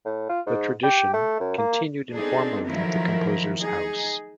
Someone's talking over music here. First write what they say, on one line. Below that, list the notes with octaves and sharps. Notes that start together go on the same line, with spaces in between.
The tradition continued informally at the composer's house.
A2
F4
G#2
G4
A3
F#2
A#3
B3 C4 D4 D#4 G#4 A4
D#3 F3 F#3 A3 E4 A#4
D#4 G#4